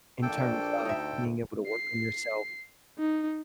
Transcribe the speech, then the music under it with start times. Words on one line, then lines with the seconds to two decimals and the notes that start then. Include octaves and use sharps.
in terms of being able to work on yourself,
0.22 A#1 D4 A4 G5
0.85 D2 D#4 E5
1.68 C7
2.99 D#4